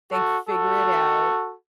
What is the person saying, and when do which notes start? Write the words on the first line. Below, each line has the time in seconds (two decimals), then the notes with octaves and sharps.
they figure it out,
0.11 F#4 A4
0.48 F#4 A4